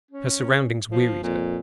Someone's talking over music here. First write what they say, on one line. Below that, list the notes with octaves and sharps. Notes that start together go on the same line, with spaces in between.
Her surroundings wearied her.
C#4
F3
F2 A#2